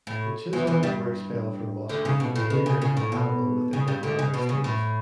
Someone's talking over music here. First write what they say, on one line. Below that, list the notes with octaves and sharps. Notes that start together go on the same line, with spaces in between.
The Chisholms were expelled from Moscow for behaviour incompatible with their diplomatic status.
A2
E2 E3
E2 E3
G2 G3
D2 D3
C#3
B2
A2
B2
C#3
C#3
A2
B2
C#3
G2 G3
D2 D3
C#3
B2
C#3
A2